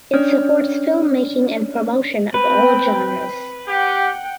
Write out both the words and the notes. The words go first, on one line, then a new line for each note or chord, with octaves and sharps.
It supports filmmaking and promotion of all genres.
C#4 D4 C#5 D5 F6
C4 B4 G5
G4 F#5 G5